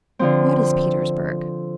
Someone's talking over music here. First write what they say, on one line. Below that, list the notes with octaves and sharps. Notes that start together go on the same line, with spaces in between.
What is Petersburg?
D3 F3 C4